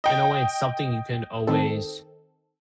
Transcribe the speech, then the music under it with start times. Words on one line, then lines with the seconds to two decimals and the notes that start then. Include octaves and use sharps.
in a way, it's something you can always
0.04 D#5 G5
1.47 D#3 C4 A4